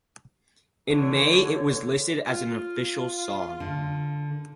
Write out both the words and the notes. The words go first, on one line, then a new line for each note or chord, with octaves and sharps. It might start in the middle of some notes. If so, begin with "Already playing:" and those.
In May it was listed as an official song.
D3 E3 C#5
F4
D3